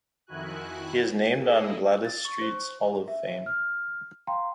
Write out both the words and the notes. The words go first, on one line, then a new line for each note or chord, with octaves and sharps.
He is named on the Gwladys Street's Hall of Fame.
F2 D#3 E4 F#4 G#5 F#6
A#3 E4 G#4 A4 D#5
A6
C#6
C5
E5
F6
F5 G5 A#5 C6